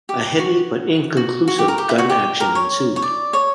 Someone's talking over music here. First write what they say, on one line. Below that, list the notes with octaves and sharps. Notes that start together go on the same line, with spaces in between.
A heavy, but inconclusive, gun action ensued.
G4
F#4
F#4
F#4
G4
A#4
G4
E4
F#4
G4
A#4
C#5
C#5
D5
C#5